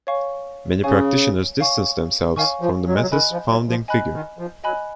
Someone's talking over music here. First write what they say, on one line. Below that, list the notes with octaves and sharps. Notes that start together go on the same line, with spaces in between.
Many practitioners distance themselves from the method's founding figure.
C#5 F5 G#5 C#6
C#3 C#5 F5 G#5 C#6
C#5 F5 G#5 C#6
D#3 C#5 F5 G#5 C#6
F3
F#3
G#3
F#3
D#3 D#5 G#5 B5 F#6
F3
F#3
F3
D#5 G#5 B5 F#6
D#3
F3
F#3 D#5 G#5 B5 F#6